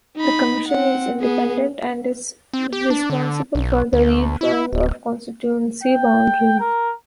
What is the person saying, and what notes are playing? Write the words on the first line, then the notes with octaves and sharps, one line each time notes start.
The commission is independent and is responsible for the redrawing of constituency boundaries.
D#4 B5
C4 F#5
B3 G#4
C4
G4
D4
D3
B1
D2
E4
D1
G5
A#4